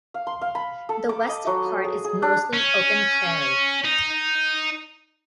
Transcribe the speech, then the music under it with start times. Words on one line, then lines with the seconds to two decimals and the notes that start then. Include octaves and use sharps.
The western part is mostly open prairie.
0.14 F5
0.27 C6
0.41 F5
0.55 B5
0.89 A4
1.09 D6
1.29 D#5
1.47 F#3
1.66 F#5
1.84 G#4
2.04 G#4
2.22 D4
2.54 C#4
3.85 D#4